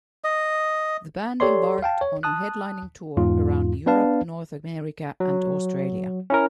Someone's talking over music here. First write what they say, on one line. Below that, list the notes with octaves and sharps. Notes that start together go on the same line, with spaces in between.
The band embarked on a headlining tour around Europe, North America and Australia.
D#5
G4 A4 C#5 D5 C6
F5 G5 A5
C#5
A5 D#6 F#6
E2 G#2 F4
B3 D4 B4 F5 A5
F#3
C#4 E4 A#4